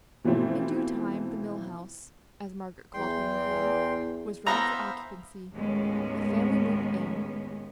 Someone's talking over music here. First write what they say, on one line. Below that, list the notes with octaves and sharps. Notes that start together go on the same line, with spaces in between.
In due time the Mill House, as Margaret called her new home, was ready for occupancy, and the family moved in.
B2 E3 F3 A3 C4
E2 G5 C6
E3 B3 A4 C5 E5 F5 A#5
D#2 A2 G#3 B3 C#4